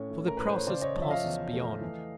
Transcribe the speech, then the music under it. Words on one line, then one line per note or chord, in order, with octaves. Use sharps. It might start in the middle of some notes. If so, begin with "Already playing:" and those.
For the process passes beyond.
Already playing: A2 C#4 C#5
A2
A#4
A2 B4
C5
C#5
C#3 C5 D5
C#5 D#5
F3
E5
D#5 F5
E2
A3
E3